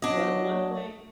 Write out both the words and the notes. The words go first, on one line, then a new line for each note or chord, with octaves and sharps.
But one thing
F#3 D4 D#5